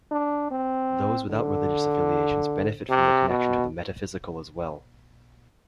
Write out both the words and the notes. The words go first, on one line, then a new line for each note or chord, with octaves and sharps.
Those without religious affiliations benefit from the connection to the metaphysical as well.
D4
C4
D3
C3
B2